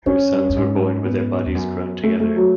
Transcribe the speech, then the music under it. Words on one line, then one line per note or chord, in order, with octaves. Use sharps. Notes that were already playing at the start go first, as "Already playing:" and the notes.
Her sons were born with their bodies grown together.
F#2 C#4
F#2
G#2
B3
E2
F#2
A3
A3
F#3